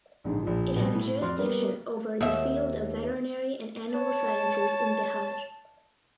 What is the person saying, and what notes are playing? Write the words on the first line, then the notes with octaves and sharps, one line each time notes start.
It has jurisdiction over the field of veterinary and animal sciences in Bihar.
A#1 G#2 D3
A#1 F3
B2 G3
A2
F2 F#4 D5 C6 F6
G3 A#3 B3
D#2 E5
C#5 A5